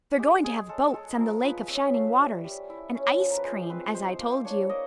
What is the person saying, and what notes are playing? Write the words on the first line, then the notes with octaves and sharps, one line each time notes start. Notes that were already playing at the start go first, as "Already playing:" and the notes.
They're going to have boats on the Lake of Shining Waters--and ice cream, as I told you.
G#3 G4
G#3 G#4
G#3 A4
G#3 A4
F3 A#4
F3 B4
C#4 E5
E5
A3 F5
E5
G3
G3
E4
C#4
F3
A#4
B4
G#3 C5
C4 B4
G#3 C5
A#3 C5
D4 C#5
A#3 D#5